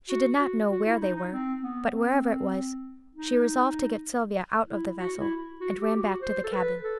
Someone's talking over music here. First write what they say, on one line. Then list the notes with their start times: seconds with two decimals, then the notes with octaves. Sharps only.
She did not know where they were, but wherever it was she resolved to get Sylvia out of the vessel, and ran back to the cabin.
0.09 F#4
0.40 F#4
0.71 F#4
0.85 E4
1.01 D#4
1.16 D#4
1.32 C4
1.62 B3
1.93 C4
3.15 D#4
4.68 E4
4.99 F#4
5.20 E4
5.60 F#4
5.80 G4
5.95 G4
6.01 F#4
6.21 C5
6.44 A4
6.52 B4
6.83 A4